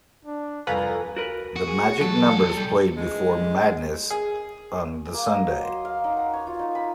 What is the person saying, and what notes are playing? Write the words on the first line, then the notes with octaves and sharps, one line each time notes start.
The Magic Numbers played before Madness on the Sunday.
D4
C2 F2 A4 B4 F5 G#5 A#5
F#4 A#4 B4
F#4
G#4
B1 E2 F#3 A4
G3
C#3 E3 G#3
G#4
A#3
D#5
F#3
C6
F5
D#4
F#5
C#5
F4
D#4
B5